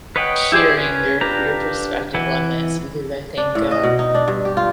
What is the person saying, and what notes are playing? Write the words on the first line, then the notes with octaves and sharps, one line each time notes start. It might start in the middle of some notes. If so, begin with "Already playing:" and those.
hearing your your perspective on this because I think, um,
B4 C#5 D#5 F#5 G5
E4 G4 G#4 C5 D5
C#4 B4
D4 F4 G4 B4 A#5
E3 E4 F#5
D4
A2
D#5
B2
D#4
D4
G2
G4
F4